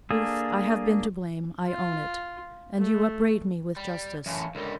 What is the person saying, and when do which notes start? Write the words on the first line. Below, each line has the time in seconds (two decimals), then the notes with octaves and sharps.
Booth, I have been to blame, I own it; and you upbraid me with justice.
0.11 A#3 D4 G#4 A4
1.66 F4
2.79 A3
3.77 G3
4.26 F#2 A2 E3 F5 G#5
4.55 C#2 D3 G3 A#4 C6